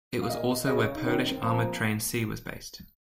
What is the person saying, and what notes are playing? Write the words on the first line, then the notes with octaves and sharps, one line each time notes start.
It was also where Polish armoured train C was based.
F5
A#2 D#5
C#3 D#5
C#5
D#4
D#3 C#4
C4
C4
F3 A#3